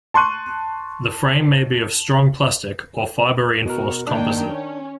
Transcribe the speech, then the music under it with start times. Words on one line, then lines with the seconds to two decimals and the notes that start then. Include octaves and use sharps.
The frame may be of strong plastic or fibre reinforced composite.
0.14 A5 C6 C#6 F#6 D#7
3.66 B2 F#4 A#4
4.07 D#3 A#3 D4 G5
4.49 C#4